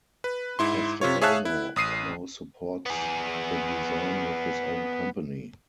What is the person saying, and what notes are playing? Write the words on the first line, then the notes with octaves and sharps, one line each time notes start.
Castellano now supports the design with his own company.
B4
G#2 E4 C6
C3 F4 C#5
G#4 C#5 E5 F5 A5 F#6
E4
A1 D#6 C7 D#7
B3 G#4